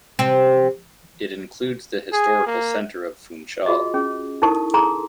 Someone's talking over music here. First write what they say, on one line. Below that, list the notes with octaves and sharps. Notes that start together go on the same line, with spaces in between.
It includes the historical centre of Funchal.
C3 C4
G#4
A#3
F4 F#4 G#4 D#5
C#4 G#4
D#4 E4 A4 A#4 A5 C#6
G#4 A4 G#5 A#5 C6